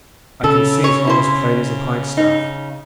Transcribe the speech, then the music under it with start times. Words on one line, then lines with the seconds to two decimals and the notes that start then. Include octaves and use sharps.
I can see it all as plain as a pikestaff.
0.44 C#3 A4
0.84 C#5
1.07 E4 C5
2.17 D#4